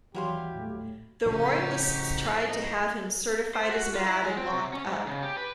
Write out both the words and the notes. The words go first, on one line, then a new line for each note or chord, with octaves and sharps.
The royalists tried to have him certified as mad and locked up.
D#2 E3 F#3 G3 E4 G4 F5 C6
A2 A3
A2 C#3 F3 D#4 F#4 G4
D#5
C5
F#4
F4
E4
G#3
C4
C3
C#4
G#2
C#3
G4
B4